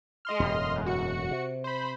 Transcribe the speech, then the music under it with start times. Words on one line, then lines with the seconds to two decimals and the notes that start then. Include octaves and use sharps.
and, um,
0.25 D#5 C6 F6
0.40 E1 F#2 A2
0.86 F#4 C#7
1.31 C3
1.64 C5 B5